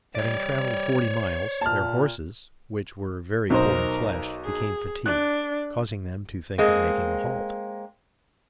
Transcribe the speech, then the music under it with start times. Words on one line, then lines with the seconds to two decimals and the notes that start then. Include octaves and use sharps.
Having traveled forty miles, their horses, which were very poor in flesh, became fatigued, causing them to think of making a halt.
0.15 G3 C#5 D5
1.61 A#2 A5 F6
3.50 B1 D#4 A#4 C5
4.45 G#4
5.06 D4 F#6
6.58 G#3 A#3 C4